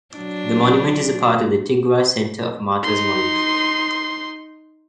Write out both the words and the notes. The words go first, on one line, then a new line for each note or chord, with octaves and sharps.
The monument is a part of the Tigrai Centre of Martyrs Monument.
F#3 D4
D#4 C6